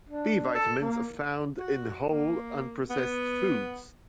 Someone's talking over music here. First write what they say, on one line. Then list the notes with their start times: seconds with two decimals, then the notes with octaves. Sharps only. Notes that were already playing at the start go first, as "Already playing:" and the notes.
B vitamins are found in whole unprocessed foods.
0.09 D4
0.55 A4
0.81 A#3
1.59 F#4
2.07 A#3
2.90 B3